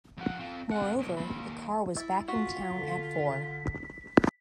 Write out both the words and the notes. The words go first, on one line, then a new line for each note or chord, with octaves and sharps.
Moreover, the car was back in town at four.
F2 F#5
C4 F4
F2 F#5
B1 A#2
D#2 B5
E4 E5 A6
F4 F#4 B6
D3